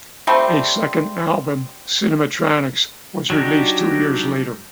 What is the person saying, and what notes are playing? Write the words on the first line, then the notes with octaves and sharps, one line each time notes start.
A second album, "Cinematronics", was released two years later.
G3 A3 C4
F#3 D4 D#4 G4